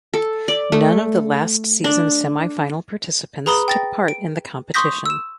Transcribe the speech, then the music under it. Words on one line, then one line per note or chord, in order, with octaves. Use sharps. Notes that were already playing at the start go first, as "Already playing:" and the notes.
None of the last season semifinal participants took part in the competition.
A4
D5
A3
D4
G#4 B4 A#5 B5 D#6 G7
G5 A6 A#6
D7
C6 C#6 D#6 G6 A#6 B6
E6 E7